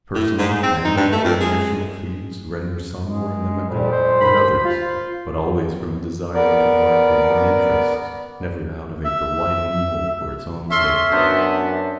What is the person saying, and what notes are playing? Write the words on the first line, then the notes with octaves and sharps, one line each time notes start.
Personal, family, or national feuds render some more inimical than others, but always from a desire to guard their own interests, never out of a delight in evil for its own sake.
A2
G#2
C4
D#4
G2
A3
F2
G#3
G#3
F2 A#2 G3
C5
D#2 B5
F4 C5
B3 A#4 D5
E5
C#4 A4 E5 C6
F#2 B3 D4 C5 B5